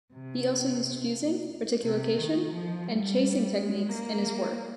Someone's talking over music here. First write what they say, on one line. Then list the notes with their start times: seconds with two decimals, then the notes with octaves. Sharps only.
He also used fusing, reticulation and chasing techniques in his work.
0.13 C3
1.84 C3
2.18 D#3
2.52 F3
2.87 G3
3.54 G#3
3.89 A#3